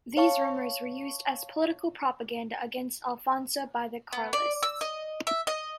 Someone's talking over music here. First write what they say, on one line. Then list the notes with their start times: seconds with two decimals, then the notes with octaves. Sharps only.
These rumours were used as political propaganda against Alfonso by the Carlists.
0.17 C#5 F5 A5 C#6
4.13 B3
4.33 D5
4.63 E6
4.81 D#5
5.27 E5
5.47 D#5